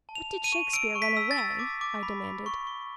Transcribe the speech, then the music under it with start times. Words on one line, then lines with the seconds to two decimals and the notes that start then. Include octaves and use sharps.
"But did Shakespeare run away?" I demanded.
0.09 A5
0.15 F7
0.30 A5
0.44 D#7
0.52 C#6
0.73 E6 D7
0.95 C#6
1.02 B6
1.17 E6
1.31 A6
1.38 E6
1.59 D6
1.81 D6
2.03 B5
2.24 B5
2.46 C#6
2.67 C#6